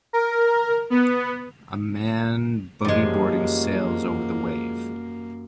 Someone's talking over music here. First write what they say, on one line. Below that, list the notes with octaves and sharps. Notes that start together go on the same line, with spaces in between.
A man boogie boarding sails over the wave.
A#4
B3
F#2 E3 F3 G3 G#3 A#3
F#4